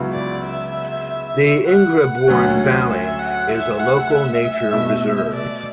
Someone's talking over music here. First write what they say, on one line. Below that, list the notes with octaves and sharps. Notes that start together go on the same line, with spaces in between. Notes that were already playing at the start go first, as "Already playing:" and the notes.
The Ingrebourne Valley is a Local Nature Reserve.
Already playing: C#2 C#3 F#3 B3 E4
D5
E5
F#5
D2 D3 F#3 C#4 F#4
E5
F#5
E5
F#5
E5
B2 A3 E4
D5